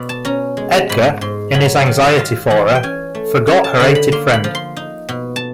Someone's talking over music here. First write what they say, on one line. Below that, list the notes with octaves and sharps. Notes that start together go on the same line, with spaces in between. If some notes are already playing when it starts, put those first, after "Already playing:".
Edgar, in his anxiety for her, forgot her hated friend.
Already playing: B2 D5
A5
C#4 A#5
G#3
G#2 B5
G#2 C6
F#3 B5
D#3 F5
F4 F5
E3 F#5
G5
C#4 G#5
A3
C#4 G#5
A5
D3 B5
B5
A#3 C6
B5
F3
C6
D#4
B2
A5